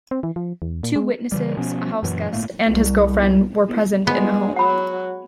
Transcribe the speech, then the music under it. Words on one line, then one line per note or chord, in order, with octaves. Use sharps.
Two witnesses, a house guest and his girlfriend were present in the home.
C4
E3
F3
E2
A#2
G#3
C#3 E3 G3
B2 F3 B3 C#4
F#2 A#2 E3 F#3
G1 A2 A3 A#3
C2
G#3 B3
F#3 F#5 B5